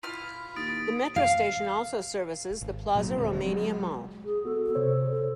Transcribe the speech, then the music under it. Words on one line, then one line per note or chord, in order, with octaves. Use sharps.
The metro station also services the Plaza Romania mall.
E4 F4 F6 B6
D#2 D#6 A6 D7
F5
G#1
A#2 F#3
D#1 D3 G#3 C4
F#3 G#3
G#4
B3 F#4 A4
C3 C5 C#5
A4